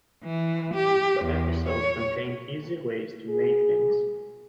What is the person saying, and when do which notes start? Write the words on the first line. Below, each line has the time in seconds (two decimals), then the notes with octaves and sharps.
The episode contained easy ways to make things.
0.24 E3
0.74 G4
1.25 E2
1.68 C#5
3.29 G#4